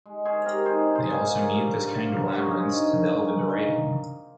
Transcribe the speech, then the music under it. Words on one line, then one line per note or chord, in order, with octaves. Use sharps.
They also need this kind of labyrinths to delve into writing.
G#3
C#4 G#4 C5
C3 G4 A#4
D#3 G#4 C5
G#3
G#4 C5
C#4
A#3
G2
G2
F3
A#3
G2
C#5
C#4 C5 D#5
D#3
D#3
A#3
C#4
D#3